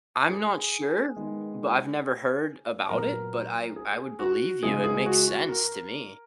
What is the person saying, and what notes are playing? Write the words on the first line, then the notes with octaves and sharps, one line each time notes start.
I'm not sure, but I've never heard about it, but I I would believe you. It makes sense to me,
G#4
D#3 G#3 B3
A#2 F#3 B3 A#4
G#4
F#4
C#3 G#3 B3 G#4
G#4
F#4
F#4
A#4